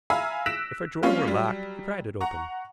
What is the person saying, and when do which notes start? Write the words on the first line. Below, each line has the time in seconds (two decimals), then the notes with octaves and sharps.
If a drawer were locked, he pried it open.
0.10 E5 F5 G#5 A#5 B5 E6
0.46 E6 F#6 A#6 B6 D7 E7
1.03 F3 G3 A#3 C4 C#4 F4
1.28 F#3 G3
2.21 F#5 A#5 C#6